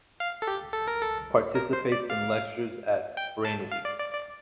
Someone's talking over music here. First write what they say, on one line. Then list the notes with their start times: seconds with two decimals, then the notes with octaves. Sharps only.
Participates in lectures at "Brain Week".
0.20 F5
0.42 A4
0.47 G4
0.74 A4
0.88 A#4
1.01 A4
1.55 A#4
1.73 C5
1.92 D5
2.10 F5
3.17 G5
3.45 A5
3.72 F5
3.85 D5
3.99 D5
4.13 D5